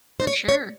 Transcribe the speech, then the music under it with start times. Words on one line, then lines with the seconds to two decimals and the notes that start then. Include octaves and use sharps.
For sure.
0.20 C5
0.27 C#5
0.48 C#5